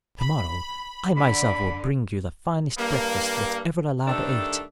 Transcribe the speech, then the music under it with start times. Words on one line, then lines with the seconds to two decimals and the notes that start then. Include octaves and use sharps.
To-morrow I myself will bring you the finest breakfast that ever a lad ate.
0.20 B5
1.17 D3 B5
2.79 G2 A#3
4.07 G2 D#3 A3 D4 A4